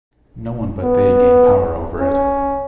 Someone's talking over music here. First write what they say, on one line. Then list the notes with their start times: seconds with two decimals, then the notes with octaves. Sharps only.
No one but they gained power over it.
0.83 B3
2.00 C#4